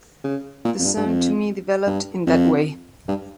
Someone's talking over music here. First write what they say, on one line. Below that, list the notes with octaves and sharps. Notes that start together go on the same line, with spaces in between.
The sound to me developed in that way.
C#3
A#2
F2
G2
G2
F2
G2
F2
G2